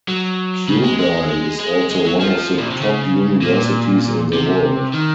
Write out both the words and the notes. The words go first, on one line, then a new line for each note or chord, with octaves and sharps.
Kyodai is also one of the top universities in the world.
F#3
C#3
G#3
G#3
G#3
G#3
F#3
F3
A#2
C3
C#3
A#2
C3
D#3